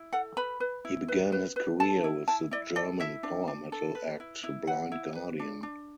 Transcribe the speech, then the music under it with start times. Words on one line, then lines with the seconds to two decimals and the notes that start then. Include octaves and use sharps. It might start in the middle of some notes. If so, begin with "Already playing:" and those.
He began his career with the German power metal act Blind Guardian.
Already playing: E4
0.13 A4 F#5
0.37 B4 B5
0.60 B4
0.85 E4
1.08 B4
1.32 B4
1.56 B4
1.80 A4 A5
2.04 E4
2.28 E4 A5
2.51 E4 D5
2.76 A4 D5
3.00 E4 E5
3.23 D4
3.48 D4
3.72 A4
3.95 B4
4.20 E4
4.44 E4
4.67 B4 F#5
4.92 E4
5.15 B4
5.40 D4
5.63 D4